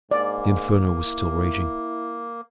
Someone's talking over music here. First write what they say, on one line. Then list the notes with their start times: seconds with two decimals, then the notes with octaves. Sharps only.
The inferno was still raging.
0.11 G#2 A#3 D5
1.05 E4